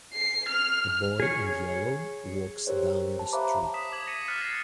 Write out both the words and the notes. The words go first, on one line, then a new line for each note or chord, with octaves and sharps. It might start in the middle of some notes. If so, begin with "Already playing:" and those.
A boy in yellow walks down the street.
C7
F6
G#4 C#5
G4 A#4 C5 C#5
A5
C5 E5 F5 A#5 B5 D6
D#6 B6 E7
D6 G#6 F#7
A#6 B6 C#7 D#7
F6 F#6 A6 B6 C#7 E7
F#6 A6 A#6 C7 C#7